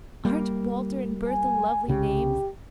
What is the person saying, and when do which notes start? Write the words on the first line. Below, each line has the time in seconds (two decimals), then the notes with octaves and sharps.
Aren't Walter and Bertha lovely names?
0.25 G3 A#3
1.28 G#5
1.88 C2 C#3 G4